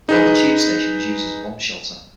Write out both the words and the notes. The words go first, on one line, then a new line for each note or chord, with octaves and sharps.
The local tube station was used as a bomb shelter.
D#4 G#4 B4